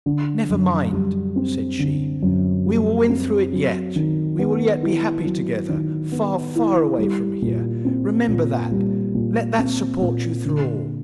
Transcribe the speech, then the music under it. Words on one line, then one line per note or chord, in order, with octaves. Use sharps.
'Never mind,' said she; 'we will win through it yet--we will yet be happy together, far, far away from here--remember that--let that support you through all.
D3
F#2
G3
C4
D3
F#2
G3
C4
F#3
D#3
B3
E4
F#3
D#3
B3
E4
G3
A#2
C4
A#2
G3
A#2
C4
A#2
D3